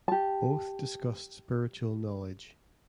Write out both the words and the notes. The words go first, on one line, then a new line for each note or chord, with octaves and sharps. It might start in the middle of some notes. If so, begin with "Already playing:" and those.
Both discussed spiritual knowledge.
G4 A5